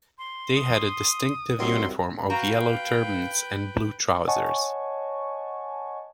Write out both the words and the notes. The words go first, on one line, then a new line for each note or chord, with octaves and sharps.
They had a distinctive uniform of yellow turbans and blue trousers.
C6
D#6
C2 D#3 F#3 C6
F#4 B4 F5 G5 A#5
C#5 D#5 F#5 G#5 A5 C#6